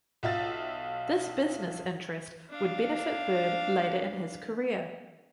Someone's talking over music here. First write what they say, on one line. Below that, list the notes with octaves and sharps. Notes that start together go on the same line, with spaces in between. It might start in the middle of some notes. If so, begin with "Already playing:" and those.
This business interest would benefit Bird later in his career.
B1 F4 E5 A6
D4 F5